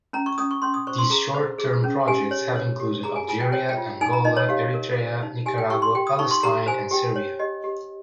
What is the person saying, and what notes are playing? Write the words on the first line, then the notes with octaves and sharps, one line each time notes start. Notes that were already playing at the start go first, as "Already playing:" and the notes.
These short-term projects have included Algeria, Angola, Eritrea, Nicaragua, Palestine and Serbia.
C#4 A#5
C#6
C#4 D#6
C#6
C#4 C6
D#6
C5 C#6
C6
G#4 A#5
C5
G#4
C#4
G4 G#5
C#5
C#5
G4
G#4 A#5
G#5
F4 G#5
G5
C#5 G5
G5
F4
D#4 G#5
A#5
D#4 D#5
C#5
G4 F5
A#4
C5
D#4
G4 G#5
G5
G4 C#6
C6
G4 G5
D#6
D#4 C#6
C6
G4 A#5
C5 G#5
G4 G5
C#5
G4 D#5
G4